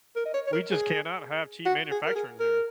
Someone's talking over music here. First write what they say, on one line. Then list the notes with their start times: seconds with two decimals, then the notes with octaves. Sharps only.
We just cannot have cheap manufacturing here.
0.16 A#4
0.25 D#5
0.34 C#5
0.47 C#5
0.52 A#4
0.72 G#4
1.65 F#4
1.91 G#4
2.06 A#4
2.16 G#4
2.40 A#4